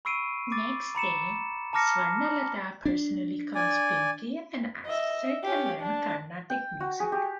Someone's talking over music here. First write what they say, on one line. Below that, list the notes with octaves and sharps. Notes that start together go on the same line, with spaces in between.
Next day Swarnalatha personally calls pinky and asks her to learn Carnatic Music.
B5 C#6 E6 C7 D7 D#7
D6 A6
A#5 B5 C#7 E7
A5 A#5 D6 F6 A#6 C#7
D4
D5 G#5
D#5 E5
C#4 G4
D4
G5
F#4
G#4
G4